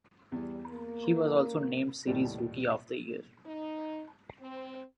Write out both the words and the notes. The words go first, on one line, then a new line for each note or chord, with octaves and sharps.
He was also named series Rookie of the Year.
E2 G3
A#3
D#2 A2 G3
D#4
C4